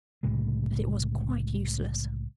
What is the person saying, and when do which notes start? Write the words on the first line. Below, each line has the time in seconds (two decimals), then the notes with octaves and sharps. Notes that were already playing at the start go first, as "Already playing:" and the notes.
But it was quite useless.
0.23 C2 A2 C#3 G#3